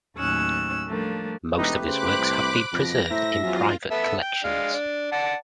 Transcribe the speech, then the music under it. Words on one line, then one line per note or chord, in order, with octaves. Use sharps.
Most of his works have been preserved in private collections.
D#2 A2 F#3 C#4 E6 F#6
F3 G3 A3 A#3 D4
E1 A3 D#4 G4 B4
C#3 C5 B5 D6 F#6
C2
F2 B2 F3 A#6
A2 C5 E5 A#5
E2 F3 F#3 C#4 F4
B3 A4 E5
G5
G#3 D4 F5
D4
D5 F#5 A5